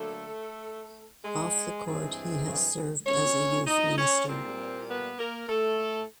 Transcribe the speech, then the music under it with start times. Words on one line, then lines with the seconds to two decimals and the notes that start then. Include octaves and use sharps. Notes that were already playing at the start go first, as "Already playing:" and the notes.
Off the court, he has served as a youth minister.
Already playing: D3 F#3 A3 A#3 A4
1.25 G#3 G#4
1.86 G2 E3 G#3 C4
3.06 C#4 C#5
3.67 D#4 D#5
3.97 C#4 C#5
4.27 A#2 G3 A#3 C4 C5
4.88 B3 B4
5.18 A#3 A#4
5.49 A3 A4